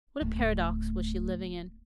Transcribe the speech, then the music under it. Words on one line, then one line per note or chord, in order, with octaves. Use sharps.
What a paradox was she living in!
D1 A3